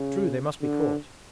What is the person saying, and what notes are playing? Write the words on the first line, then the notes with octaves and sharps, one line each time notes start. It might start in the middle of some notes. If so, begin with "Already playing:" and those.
'True, they must be caught!'
Already playing: C#3
D3